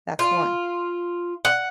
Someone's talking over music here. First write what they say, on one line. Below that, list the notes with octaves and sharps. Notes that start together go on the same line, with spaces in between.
that's one.
F4
F#5